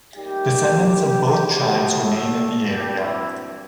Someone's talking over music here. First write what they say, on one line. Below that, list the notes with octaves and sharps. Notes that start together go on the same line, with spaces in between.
Descendants of both tribes remain in the area.
D#2 D#3 G3 A3 G4
A2 F#3 B3
A3 A4
G2 F#3 G3 C4 G4
E3 E4